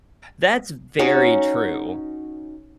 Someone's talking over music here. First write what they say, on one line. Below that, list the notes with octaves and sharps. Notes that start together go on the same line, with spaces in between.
That's very true.
C#4 D#4 F#4